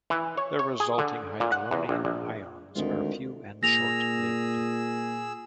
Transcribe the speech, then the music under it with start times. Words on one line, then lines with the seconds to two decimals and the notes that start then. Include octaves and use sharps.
The resulting hydronium ions are few and short-lived.
0.10 E3
0.37 C#5
0.59 C#5
0.80 G#4
0.98 D3
1.40 A#2
1.52 F#5
1.71 E2
1.89 A#1
2.05 A#1
2.75 D2 D#3 G#3 C4 D4 F4
3.63 A#2 G#4 E6 A#6 F7